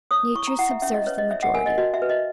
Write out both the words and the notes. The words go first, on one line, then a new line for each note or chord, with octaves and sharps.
Nature subserves the majority.
C#5 D#6
E4 C#6
A#5
E4 F#5
E5
C#4 E5
D#5
B4 C#5
D#5
C#5 E5
F#5
A#4 G#5
D#5
F#4 D#5
E5
B4
D#5